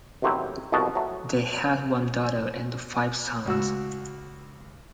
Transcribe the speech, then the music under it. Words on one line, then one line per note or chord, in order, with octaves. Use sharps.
They had one daughter and five sons.
A1 D#2 C3 F#3 C4 E4
C2 F2 B2 F#4 D#5 A5
F#3 A3
C#2 F#4 E6